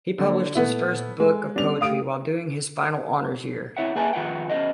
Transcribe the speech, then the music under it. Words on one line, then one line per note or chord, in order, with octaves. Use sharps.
He published his first book of poetry while doing his final honours year.
D3 F#3 A#3
A#2 A3 B3 E4
G#3 A4
G3 B3 C#4 D4 F7
A3 G4 F5 D#6 D7
C4 E4 C#5 E5 F#5
A#3 G#4 B4 E5 G#5 A5
F2 D#3 F4 B4 F#5 G5
B3 C#4 F#4 C5 D#5